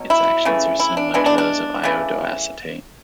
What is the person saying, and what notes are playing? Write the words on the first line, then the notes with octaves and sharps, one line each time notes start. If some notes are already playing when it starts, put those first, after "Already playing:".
Its actions are similar to those of iodoacetate.
Already playing: B2 F#3
E4
C#3 E3 A3
E4
D4
E3 G#3 B3 D4
D4
D4
C#3 E3 A3